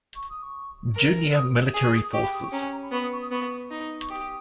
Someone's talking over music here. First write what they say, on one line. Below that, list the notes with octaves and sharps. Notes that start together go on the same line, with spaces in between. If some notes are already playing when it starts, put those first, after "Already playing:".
Junior Military Forces.
C#6
D#6
C#6
A#4
D#6
G#4 D#6
C#6
D#6
D#6
G4 C#6
B5
D#6
C#6
C#4 A#5
G#5
A#5
B5
B3 C#6
D#6
C#6
D#6
B3 C#6
D#4
C#6
G4 D#6